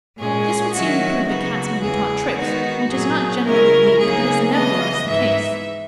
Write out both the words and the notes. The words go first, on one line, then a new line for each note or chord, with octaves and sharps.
This would seem to prove that Cats may be taught tricks, which is not generally believed, but is nevertheless the case.
A#2 G#3 C#4 G#4
D#3 F#3 C#4 E4 F#4
C#3 F#3 B3 D#4 F#4
E2 C#3 E3 G#4
D#3 G#3 B3 D#4 F#4
A#2 F#3 A#3 G#4
C#3 G#3 C#4 E4 A#4
C#3 F#3 A#3 D#4 G#4
C#3 E3 B3 D#5
G#2 E3 G#3 D#4 E5